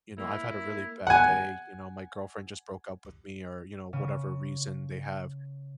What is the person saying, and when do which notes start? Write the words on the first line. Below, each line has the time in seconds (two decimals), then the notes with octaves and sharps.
you know, "I've had a really bad day," you know, "My girlfriend just broke up with me," or, you know, whatever reason they have.
0.18 A#3 E4
1.07 F#5 G#5
3.93 C#3 D#7